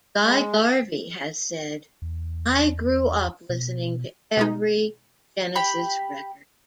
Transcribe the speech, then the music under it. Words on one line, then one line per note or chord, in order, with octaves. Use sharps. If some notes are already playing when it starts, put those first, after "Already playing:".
Guy Garvey has said: I grew up listening to every Genesis record.
G#3
E2
B2
B2 G#3 D#4
G4 B5